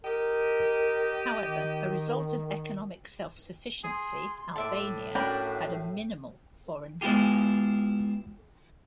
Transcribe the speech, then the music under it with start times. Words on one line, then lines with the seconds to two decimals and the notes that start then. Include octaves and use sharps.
However, a result of economic self-sufficiency, Albania had a minimal foreign debt.
0.04 G4 A#4 D#5
1.42 D#3
3.84 G#4 C6
4.56 A2 D5 E5 A5
5.15 C#4 D4 F#4 A#4 G5 B5
7.01 G#3 B3 E4 F4 G4 G#4